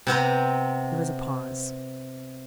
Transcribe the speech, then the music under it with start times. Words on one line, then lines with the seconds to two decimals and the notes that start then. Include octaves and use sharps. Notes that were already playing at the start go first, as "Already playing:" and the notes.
There was a pause.
0.07 C3 B3 C4 A#5